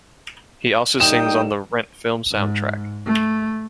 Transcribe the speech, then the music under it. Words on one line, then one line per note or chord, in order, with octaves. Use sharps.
He also sings on the "Rent" film soundtrack.
G3 A#3 D#4 G5 D#6 E7
G#2
A3